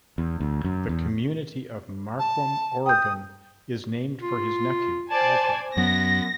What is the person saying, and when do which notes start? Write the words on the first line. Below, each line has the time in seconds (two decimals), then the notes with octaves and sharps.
The community of Marquam, Oregon, is named for his nephew, Alfred.
0.18 E2
0.40 D2
0.64 F#2
0.89 E2
2.19 A5
2.86 G5 D#6 G6
4.21 F4
5.10 C5 D5 G#5 A5
5.77 F#2 F#3 B3 A#6